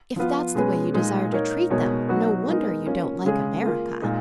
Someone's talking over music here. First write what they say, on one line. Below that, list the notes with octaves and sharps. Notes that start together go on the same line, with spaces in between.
"If that's the way you desire to treat them, no wonder you don't like America."
F3 B3 F4
B2 G#3 C#4 G#4 B4
A#2 G#3 D#4
A#3 D#4 A#4 C#5
B2 G#3 D#4 A#4 C#5
F#3 B3 D#4 F#4
G#3 B3 D#4 A#4
A#3 C#4 F4
C#3 G#3 C#4 G#4
A#3 F4 G#4
A#2 G#3 D#4 A#4